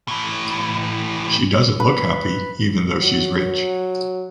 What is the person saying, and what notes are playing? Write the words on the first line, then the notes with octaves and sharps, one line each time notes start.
She doesn’t look happy, even though she’s rich.
A2 E3
B4
F#3